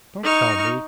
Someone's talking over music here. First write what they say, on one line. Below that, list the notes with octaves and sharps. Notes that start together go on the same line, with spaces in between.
'Don't tell me!
D#4 C#6 F6